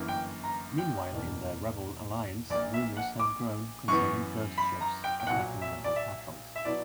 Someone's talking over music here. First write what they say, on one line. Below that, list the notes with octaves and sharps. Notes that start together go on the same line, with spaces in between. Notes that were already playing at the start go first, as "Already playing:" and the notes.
Meanwhile, in the Rebel Alliance, rumors have grown concerning "ghost ships" attacking Rebel patrols.
Already playing: G1 F#2 E3 A#3
G5
A#5
G5
E1 E2 B2 A#3
A#1 A#2 A#3 D5
E5
F#5
D6
F#2 E3 B3 C#6
B5
A#5
G5
G5
B1 A#2 F#3 F#5
E5
D5
E5
E5
B2 F#3 B3 E4 D5